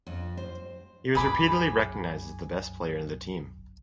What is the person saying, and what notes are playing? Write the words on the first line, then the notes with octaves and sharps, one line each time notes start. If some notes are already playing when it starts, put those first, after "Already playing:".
He was repeatedly recognized as the best player in the team.
F2
C5
G1 C2 F#2 G#4 B5 D6